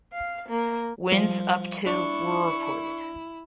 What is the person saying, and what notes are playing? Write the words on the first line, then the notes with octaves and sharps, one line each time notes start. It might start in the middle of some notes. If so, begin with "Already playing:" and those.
Winds up to were reported.
F5
A#3
F3 G3
D4 E4 C#6